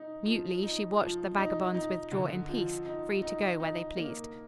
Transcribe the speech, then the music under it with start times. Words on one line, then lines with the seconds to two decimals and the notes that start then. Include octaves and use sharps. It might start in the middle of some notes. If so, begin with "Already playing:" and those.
Mutely she watched the vagabonds withdraw in peace, free to go where they pleased.
Already playing: D#4
0.26 F3
0.63 D#4
1.00 F3
1.38 D#4
1.74 D#4
2.12 D3
2.49 F3
2.86 D#4
3.22 D#4
3.60 D#4
3.97 A#3